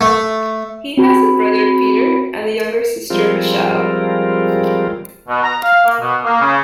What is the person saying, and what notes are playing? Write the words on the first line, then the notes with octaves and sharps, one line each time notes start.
He has a brother Peter and a younger sister Michele.
A3
C4 F#4 B5
F3 G3 G#3 C4 F4 A#4
B2
A#5
F5
A#3
B2
A#3
C#3